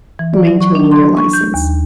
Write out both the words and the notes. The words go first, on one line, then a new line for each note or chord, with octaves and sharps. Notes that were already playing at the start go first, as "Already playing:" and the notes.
maintaining your license.
E3
D5
F#3
C#6
D4
C6
C#6
G6
D#2